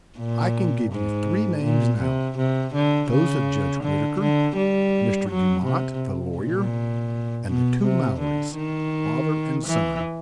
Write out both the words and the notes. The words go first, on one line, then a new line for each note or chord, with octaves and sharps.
"I can give you three names now. Those of Judge Whittaker, Mr. Dumont, the lawyer, and the two Mowries, father and son."
A#2
G#2
A#2
C3
C3
D3
C#3
D3
D3
G3
F#3
C3
A#2
B2
C3
D3
D#3
E3